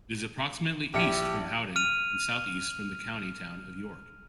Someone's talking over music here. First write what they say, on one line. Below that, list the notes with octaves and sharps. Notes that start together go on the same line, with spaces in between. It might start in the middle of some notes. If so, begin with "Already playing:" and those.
It is approximately east from Howden and south-east from the county town of York.
A#1 E4 G4 C#7
F6 D#7 F7